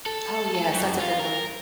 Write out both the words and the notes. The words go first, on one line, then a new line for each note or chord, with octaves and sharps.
Oh, yes, that's a good one.
A4
A4
F#2
F4
A#4